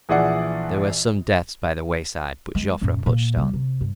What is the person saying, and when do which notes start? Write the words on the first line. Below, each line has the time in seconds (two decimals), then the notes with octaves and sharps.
There were some deaths by the wayside, but Joffre pushed on.
0.09 A#1 E3 G#4 D5 F#5
2.55 G#3
2.81 F#2 A#2
3.06 A#2
3.37 C#3 G3
3.53 C3
3.81 G2